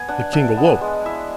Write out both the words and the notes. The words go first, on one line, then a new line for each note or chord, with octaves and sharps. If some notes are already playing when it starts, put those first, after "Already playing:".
The king awoke.
Already playing: B3 G#5
D4 F#5
D4 E5
B3
G#3
E4 E5